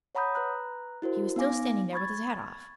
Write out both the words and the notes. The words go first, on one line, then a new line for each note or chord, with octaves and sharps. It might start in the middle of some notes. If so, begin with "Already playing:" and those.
He was still standing there with his hat off.
C#5 F#5 A#5 B5 D#6 G6
B4 A#5 F#6
E4 F#4 A#4 C5
B3 D#4 F5 G#5 D6 A#6
B5 C#6 G#6 A6